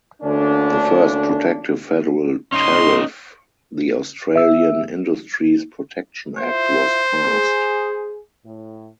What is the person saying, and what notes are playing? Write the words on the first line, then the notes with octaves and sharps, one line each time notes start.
The first protective Federal tariff, the Australian Industries Protection Act was passed.
D2 D3 A#3 C#4 D4
C#4 D#4 D#5 C6
E5 E6
E4 F4 C5 E5
G#4
A2